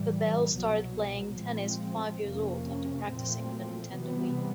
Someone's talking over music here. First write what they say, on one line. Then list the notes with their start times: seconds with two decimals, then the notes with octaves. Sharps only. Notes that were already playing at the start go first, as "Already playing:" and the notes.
Babel started playing tennis at five years old after practicing on the Nintendo Wii.
Already playing: A2 E3 G3
0.55 C2 B2 F#3
1.39 A#2 F3 G#3 C4
2.24 F2 C3 F3 A#3 C#4
3.09 A#2 F3 A3 C4
3.94 C3 E3 G3 B3